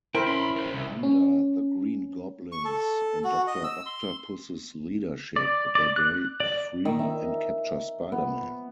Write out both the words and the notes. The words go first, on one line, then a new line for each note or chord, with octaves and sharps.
Under the Green Goblin's and Doctor Octopus's leadership, they break free and capture Spider-Man.
E4 A#4 C5 G5 B5
C#4 B5 C6
A#4 C5
C2
C#4
C#6
A4
F#4
D#5
E6
C6
D5
D5
F#6
D5
D#3
E5
B3